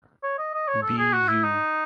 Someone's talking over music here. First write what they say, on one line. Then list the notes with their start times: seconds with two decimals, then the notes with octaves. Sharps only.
Be You.
0.23 C#5
0.38 D#5
0.54 D#5
0.68 C#5
0.83 A4
0.98 G#4
1.13 F#4
1.28 E4
1.43 D#4